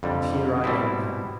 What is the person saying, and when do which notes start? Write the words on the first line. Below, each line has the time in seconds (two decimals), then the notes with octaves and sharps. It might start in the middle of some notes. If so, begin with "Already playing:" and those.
And here I am now.
0.03 F2 D3 G3
0.64 B2 G3 C4 E4